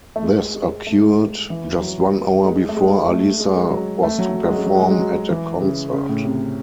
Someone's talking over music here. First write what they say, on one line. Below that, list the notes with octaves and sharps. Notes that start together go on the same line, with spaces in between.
This occurred just one hour before Alisa was to perform at a concert.
A3
G#3
G#3
A3
G#3
E3
F#3
G#3
A3
G#3
A3
G#3
G#3
F#3
A3
F#3
F#3
G#3
F#3
G#3
F#3
G#3
F#3
G#3
F#3
E3
C#3
C#3
A2
C3